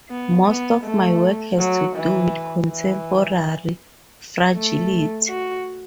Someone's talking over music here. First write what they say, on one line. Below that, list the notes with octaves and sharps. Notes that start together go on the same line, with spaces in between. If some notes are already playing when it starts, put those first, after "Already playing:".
Most of my work has to do with contemporary fragility.
B3
B3
A3
F#3
E3
E3
A3
F#4